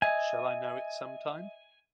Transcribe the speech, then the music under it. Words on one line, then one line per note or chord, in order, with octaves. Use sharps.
Shall I know it sometime?
D#5 E5 G#5